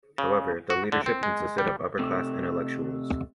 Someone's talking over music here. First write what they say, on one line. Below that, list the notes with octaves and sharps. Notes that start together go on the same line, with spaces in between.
However, the leadership consisted of upper-class intellectuals.
C#3
F#4
D3
C4
G#3
G3
C3 A3